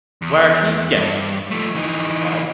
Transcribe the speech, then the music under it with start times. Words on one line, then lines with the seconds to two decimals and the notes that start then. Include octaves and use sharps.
"Where can he get it?" Harrington replied.
0.22 E2
0.93 G2
1.51 F3 A3
1.75 E3 D#4